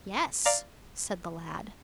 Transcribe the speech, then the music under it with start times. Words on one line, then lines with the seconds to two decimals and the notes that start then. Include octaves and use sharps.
"Yes," said the lad.
0.45 D5 F5 A#5